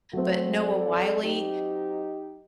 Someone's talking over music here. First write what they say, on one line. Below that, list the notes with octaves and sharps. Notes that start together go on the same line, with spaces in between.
but Noah Wiley
F#3 A3 C4
A4 D5
D#4 G4